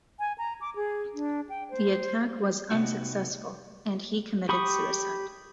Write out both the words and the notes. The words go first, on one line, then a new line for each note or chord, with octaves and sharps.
The attack was unsuccessful and he committed suicide.
G#5
A#5
D6
G#4
D4
G5
C5
C3 B3 D#4 F#4
G4 B5 C#6 D#6